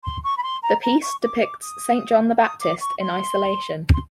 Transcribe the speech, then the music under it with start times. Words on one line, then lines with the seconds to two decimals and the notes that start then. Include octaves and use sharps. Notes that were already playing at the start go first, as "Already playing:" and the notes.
The piece depicts Saint John the Baptist in isolation.
0.03 C6
0.23 C#6
0.37 B5
0.43 C6
0.62 A#5
0.82 A#5
1.02 C#6
1.22 D6
1.42 D6
1.62 D#6
2.40 D#6
2.60 D6
2.80 C#6
3.00 C6
3.93 C6